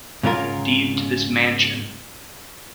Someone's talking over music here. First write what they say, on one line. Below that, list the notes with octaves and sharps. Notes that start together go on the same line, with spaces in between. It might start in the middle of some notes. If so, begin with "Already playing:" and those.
deed to this mansion."
G#2 C#3 C#4 F4 A#4